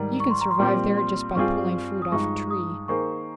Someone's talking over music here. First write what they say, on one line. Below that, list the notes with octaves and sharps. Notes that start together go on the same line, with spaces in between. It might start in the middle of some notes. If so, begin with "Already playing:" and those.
You can survive there just by pulling fruit off a tree.
Already playing: G#2 D#3 G3 A#5
C#6
C6
A#5
C6
A#2 G3 C4 G4
C6
G2 G3 C4 F4 G#4 C#6
D#6
G2 F3 G#3 D#4 C#6
D#6
D#3 A#3 D#4 G#4 C5 C#6